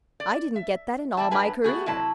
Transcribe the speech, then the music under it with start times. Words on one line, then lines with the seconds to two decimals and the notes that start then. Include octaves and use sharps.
"I didn't get that in all my career."
0.20 D5
0.56 E5
1.17 E2 D5 E5 A5
1.31 G2 F#3 B4 G#5
1.64 A3 B3 F#4 G#4
1.86 C3 F#3 E4 A5